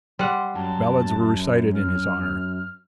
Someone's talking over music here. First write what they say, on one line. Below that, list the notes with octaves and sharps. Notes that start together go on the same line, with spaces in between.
Ballads were recited in his honour.
G3 F#5 C6
F#2 A5
F6